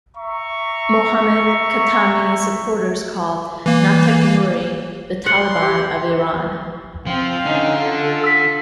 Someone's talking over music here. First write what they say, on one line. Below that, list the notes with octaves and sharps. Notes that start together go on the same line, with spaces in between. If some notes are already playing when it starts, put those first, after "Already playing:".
Mohammad Khatami's supporters called Nateq-Nouri the "Taliban" of Iran.
E5 A#5 C#6
E3 A#3
F#5 C6
G4
F3 C4 F5
D3 C#4 D#4
F4 A4
E6 B6